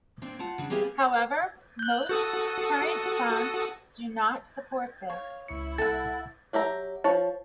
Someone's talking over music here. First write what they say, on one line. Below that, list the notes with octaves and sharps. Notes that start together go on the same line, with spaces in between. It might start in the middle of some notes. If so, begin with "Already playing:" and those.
However, most current fonts do not support this.
A#2 C4 D4
F4 F#5 A5
C#3 D4
A#3 C4 G4 G#4 B4 F5
F#6 G6
F#4 A4 D#6
C#5 F5
C#2 E4 C#6 C#7
C2 A4 F#5 A6
F#3 G4 E5 A#5
F3 C#5 A5